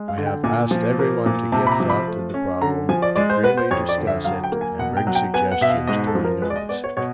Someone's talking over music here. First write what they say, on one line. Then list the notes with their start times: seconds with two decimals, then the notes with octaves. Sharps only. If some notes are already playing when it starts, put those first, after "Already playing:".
I have asked everyone to give thought to the problem, to freely discuss it, and bring suggestions to my notice.
Already playing: G#3
0.08 F5
0.18 D3
0.26 G5
0.44 A#2 G#5
0.71 F3
0.99 A#3
1.26 A#2
1.52 C3 A5
1.67 B5
1.72 A#5
1.80 F3
1.90 B5
2.07 A3
2.34 C#4
2.61 D3 A#5
2.89 F3 G#5
3.02 D5
3.16 G#3 D5
3.30 C5
3.43 B3 B4
3.57 C5
3.71 F2 C#5
3.89 D5
3.98 D3
4.07 E5
4.24 F#3 F5
4.44 G5
4.52 A#3
4.61 G#5
4.79 B2 F#5
4.97 G5
5.07 F#3
5.15 G5
5.34 B3 G#5
5.51 F#5
5.61 B2 E5
5.69 F5
5.87 G#2 D#5
6.07 A4
6.15 F3
6.24 A#4
6.42 G#3 B4
6.50 D5
6.56 D#5
6.69 B3 D5
6.84 C#5
6.97 B2 C#5